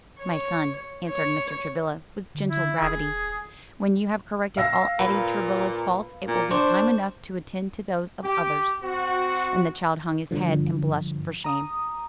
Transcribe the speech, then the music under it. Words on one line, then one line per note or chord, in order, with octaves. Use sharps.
"My son," answered Mr. Travilla with gentle gravity, "when you have corrected all Eddie Travilla's faults it will be time enough to attend to those of others." And the child hung his head and blushed for shame.
C#5
C#5
D3
E4
E1 G#4
F5 E6 A#6
A#2 B4
A#2
D4 C5 C#6
G4
C4 F#4
G2 D3 F3
A#5 D#6